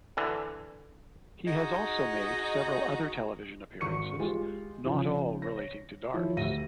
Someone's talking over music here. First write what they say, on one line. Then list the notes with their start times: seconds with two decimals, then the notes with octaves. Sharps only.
He has also made several other television appearances, not all relating to darts.
0.17 D3 E3
1.46 D#4 F#4 G#4 D#5
3.81 G#1 C#6 C#7
4.19 G#3 F4 G4 G#4
4.84 C#3 F3
5.42 C#5 A#6
6.13 D#3 F3 E4 C#5
6.37 D2 G4 E5 A#6 D#7